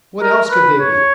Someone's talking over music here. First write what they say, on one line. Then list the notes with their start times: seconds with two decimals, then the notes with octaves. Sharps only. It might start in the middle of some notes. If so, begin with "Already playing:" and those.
What else could they be?
0.21 A#4
0.50 B4
0.80 C#5